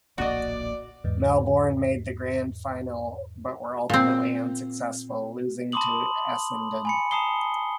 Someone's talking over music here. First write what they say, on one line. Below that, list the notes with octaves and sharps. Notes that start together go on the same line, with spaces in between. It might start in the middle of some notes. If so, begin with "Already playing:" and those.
Melbourne made the Grand Final, but were ultimately unsuccessful, losing to Essendon.
D1 A#1 A#3 F#4 D5 D#5
E2 G#2
A#2 C4
A5 B5 C6 D6 D#6 F#7
G#5 B5 C#7
A5 A#5 D#6 C7 G7